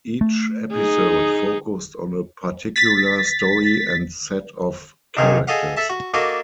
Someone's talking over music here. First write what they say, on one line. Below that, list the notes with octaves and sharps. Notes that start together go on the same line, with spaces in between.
Each episode focused on a particular story and set of characters.
A3
D#4 G#4
A6 B6
C2 G2 C3 D#3 D#4 G#4
G#4 A4 D#5 F5 F#5
A4 E5 A5
F#4
A#3 D4 F#4 A4 D#5